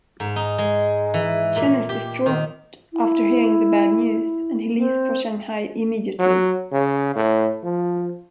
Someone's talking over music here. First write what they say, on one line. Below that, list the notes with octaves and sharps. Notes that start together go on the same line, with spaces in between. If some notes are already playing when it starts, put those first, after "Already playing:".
Chen is distraught after hearing the bad news and he leaves for Shanghai immediately.
G#2
D#4
G#3
E3
A#2
G4
D#3
E4
C4
F#3
C#3
A2
F3